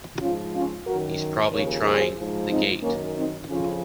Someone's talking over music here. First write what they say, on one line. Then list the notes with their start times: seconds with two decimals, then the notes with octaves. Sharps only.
He’s probably trying the gate!
0.21 G#2 F3 C#4 F4
0.54 C#4 F4
0.86 F#2 D#3 F#4 A#4
1.52 D#2 C#3 F3 A#4 C#5
1.85 G#4 C5
2.17 G#2 F3
2.50 C4 D#4
2.82 F#2 D#3 A#3 C#4
3.16 C4 D#4
3.48 F2 C#3 F3 C#4 F4